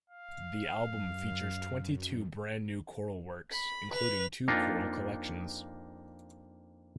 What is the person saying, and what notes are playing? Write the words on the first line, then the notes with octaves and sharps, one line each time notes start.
The album features twenty-two brand new choral works including two choral collections.
F5
F#2
B5
B4 F7
F2 A#3 D4 D#4 F4